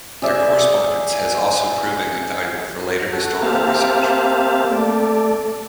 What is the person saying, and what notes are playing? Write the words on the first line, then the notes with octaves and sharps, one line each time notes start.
Their correspondence has also proven invaluable for later historical research.
G#4 D5 E5
F#4 A4
A#3 C4 G4 E5 F5 A5
A3 A4 D5